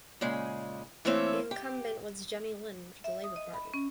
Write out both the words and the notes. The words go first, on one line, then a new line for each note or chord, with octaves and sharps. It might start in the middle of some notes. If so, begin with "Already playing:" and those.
The incumbent was Jenny Lynn for the Labour Party.
A#2 C#3 G#3
E3 A3 A#3 C4 C#5 E5
G4
E5
D#6
D#5
B5
C#4